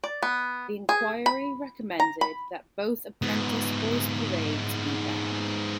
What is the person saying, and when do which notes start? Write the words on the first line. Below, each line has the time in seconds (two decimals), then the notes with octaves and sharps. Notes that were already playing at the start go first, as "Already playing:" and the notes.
The inquiry recommended that both Apprentice Boys parades be banned.
0.04 D5
0.23 B3
0.89 G#4
1.26 B5
2.00 A#5
2.21 B5
3.22 G#2 B3